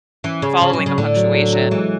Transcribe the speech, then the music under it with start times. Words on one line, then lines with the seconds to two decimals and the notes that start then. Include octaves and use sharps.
following the punctuation,
0.24 E3 C#4
0.42 C#3 C#4
0.61 C#3 C#4
0.73 B2
0.79 F#3
0.86 C#3
0.98 A2 D3
1.17 F#3
1.34 F#3
1.53 F#3
1.71 E3 G#3